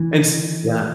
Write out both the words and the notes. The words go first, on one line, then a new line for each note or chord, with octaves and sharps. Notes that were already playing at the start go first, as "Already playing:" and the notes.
It's yeah.
Already playing: E3